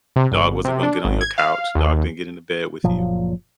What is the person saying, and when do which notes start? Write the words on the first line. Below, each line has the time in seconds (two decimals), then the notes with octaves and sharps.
dog wasn't gonna get on your couch, dog didn't get into bed with you.
0.16 C3
0.31 G1
0.65 C3
0.83 D4
1.05 G#1
1.21 G#6
1.38 F5
1.75 D#2
2.84 F#1 A#2 F3 F#3